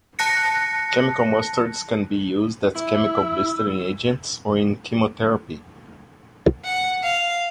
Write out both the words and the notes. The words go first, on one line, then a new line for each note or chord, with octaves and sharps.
Chemical mustards can be used as chemical blistering agents or in chemotherapy.
A5 F#6 A#6 C#7
E4 E6
F#5
F5